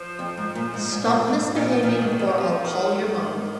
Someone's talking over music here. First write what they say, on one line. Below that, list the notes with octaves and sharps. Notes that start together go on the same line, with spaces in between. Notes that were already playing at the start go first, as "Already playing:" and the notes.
Stop misbehaving or I'll call your mom.
Already playing: F3
F2
G#2
A#2
G#2
G#2
A#2
G#2
G#2
A#2 F3
A#2 F3
G#2 D#3
D#3
F2
F3
F2 F3
D#3
G#2 D#3